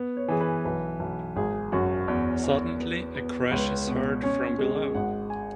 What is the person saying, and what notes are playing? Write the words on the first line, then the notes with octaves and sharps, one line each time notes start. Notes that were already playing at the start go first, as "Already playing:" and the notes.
Suddenly, a crash is heard from below.
Already playing: B3
C#5
E3 G#4
B4
B1 B4
B1
G#1 G#4
F#2 F#4
E2
E2
B3
B3
C#2 B4
B2
C#4 C#5
G#3
G#1 F#5
G#5